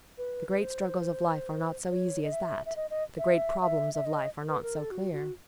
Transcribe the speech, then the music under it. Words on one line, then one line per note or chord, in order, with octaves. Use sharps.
The great struggles of life are not so easy as that; the great problems of life are not so clear.
B4
B4
C5
C#5
D#5
E5
E5
D#5
D#5
E5
E5
E5
D#5
B4
A#4
A4
F#4
F#4